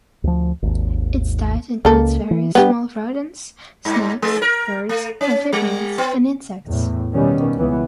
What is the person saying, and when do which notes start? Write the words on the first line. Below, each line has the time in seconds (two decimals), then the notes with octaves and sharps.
Its diet includes various small rodents, snakes, birds, amphibians, and insects.
0.24 D2 F3
0.62 G#1 D#2
1.85 C#2 A#3 A4
2.31 E3
2.55 G3 A3 B3 D4 G4
3.85 G2
4.22 G#3
4.42 A#4
4.89 A3
5.21 C#4
5.53 G3
5.98 B3
6.67 E2 A2
7.14 B2 D#3 G3 B3 C#4
7.57 C#2 E3 B3